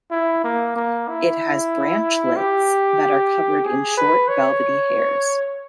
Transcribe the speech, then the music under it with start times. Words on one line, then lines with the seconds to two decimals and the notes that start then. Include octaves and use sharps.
It has branchlets that are covered in short velvety hairs.
0.11 E4
0.44 A#3
0.76 A#3
1.08 E4
2.36 G4
3.65 G#4
3.97 B4
4.28 C#5